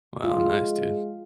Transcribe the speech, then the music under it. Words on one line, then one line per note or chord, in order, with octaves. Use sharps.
Wow. Nice, dude.
G#3 F4